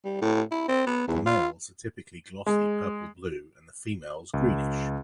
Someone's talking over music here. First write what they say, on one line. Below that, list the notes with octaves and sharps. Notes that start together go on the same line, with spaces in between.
The males are typically glossy purple-blue and the females greenish.
G3
A2
E4
C4
B3
E2
F4
G#3
C#2